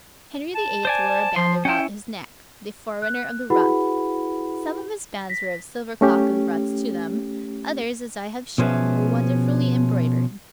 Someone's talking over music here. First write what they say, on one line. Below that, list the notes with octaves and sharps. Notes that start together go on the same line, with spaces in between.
Henry VIII. wore a band about his neck, the forerunner of the ruff. Some of his bands were of silver cloth with ruffs to them, others, as I have shown, were wonderfully embroidered.
A5
C5 D5 G#5
F3 C6
C#4 E4 G5
F#6
E4 F#4 G#4 B4 F#5 B5
A#6 B6
A3 C#4 G4
B2 F3 C#4 G#4 B4 E5